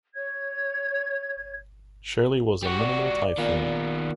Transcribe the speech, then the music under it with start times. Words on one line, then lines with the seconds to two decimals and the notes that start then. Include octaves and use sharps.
Shirley was a minimal typhoon.
0.14 C#5 G#6
2.63 G3 F#4
2.79 D5
3.38 A#2 D#3 B3